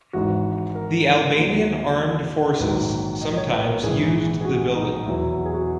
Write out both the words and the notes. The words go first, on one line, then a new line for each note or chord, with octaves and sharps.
The Albanian Armed Forces sometimes used the building.
G#1 G#2 E3 F#4
A#4
D#2 D#3 F#3
A#1 G#2 D#3 F#3 B4
D#5
C#5
B4
A#4
A#1 G#2 E3 G#4
G#4
F#4
D#4
E2 B2 F#3 E4
F#4
G#4
F#4